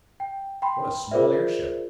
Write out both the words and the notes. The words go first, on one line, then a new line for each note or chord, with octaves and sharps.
"What a small airship."
G5
G5 B5 C6
F4 G#4 A#4 C5 D5 E5